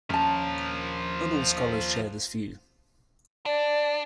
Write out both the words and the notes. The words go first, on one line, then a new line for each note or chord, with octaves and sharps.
Not all scholars share this view.
D#2 F3 C#4 A#4 A5
D4 D5